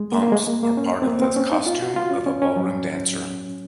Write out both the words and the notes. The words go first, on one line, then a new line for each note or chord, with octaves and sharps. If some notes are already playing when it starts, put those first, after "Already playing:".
Pumps are also part of the costume of a ballroom dancer.
Already playing: G#3
A#3
A#3
G#3
A#3
A#3
C#4
C4
A#3
C4
C#4
D#4
F4
F#4
F4
C#4
C#4
C#4
F#3